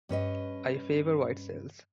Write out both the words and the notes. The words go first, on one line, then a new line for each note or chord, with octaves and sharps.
I favor white sails.
G2 C#4 B4 D#5